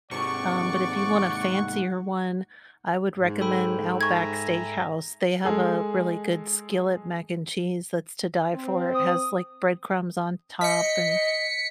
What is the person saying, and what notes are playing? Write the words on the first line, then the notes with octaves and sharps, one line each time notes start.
um, but if you want a fancier one, I would recommend Outback Steakhouse, they have a really good skillet mac and cheese that's to die for, it has, like, bread crumbs on top and
G#2 C3 D5 F#5 C#6
G#2
A4 G5 B5
E5 G#5 A#5 C#6 G#6
G#3 G#4 A4
C4
D#6
D#5 B6 C#7